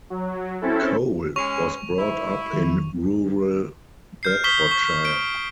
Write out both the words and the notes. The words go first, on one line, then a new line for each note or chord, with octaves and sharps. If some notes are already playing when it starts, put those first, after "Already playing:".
Cole was brought up in rural Bedfordshire.
F#3
C4 C#4 E4 A4
G#3 C#4 C#6 F7
E4
D#3
F6 G6 C7
C#6 D#6 B6 G7
C#6
D7 G7